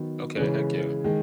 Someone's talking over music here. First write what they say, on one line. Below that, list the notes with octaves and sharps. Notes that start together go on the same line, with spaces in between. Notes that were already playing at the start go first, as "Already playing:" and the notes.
Okay, heck yeah.
Already playing: D#3 F#3 B3
C#3 E3 G#3 C#4
D#3 G#3